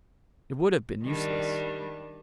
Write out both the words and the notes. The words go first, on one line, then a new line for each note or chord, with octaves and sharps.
It would have been useless.
D#3 G3 D4